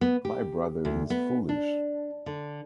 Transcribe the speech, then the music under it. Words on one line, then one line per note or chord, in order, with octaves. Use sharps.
My brother is foolish.
B3
G4
D2
B3
D4
D3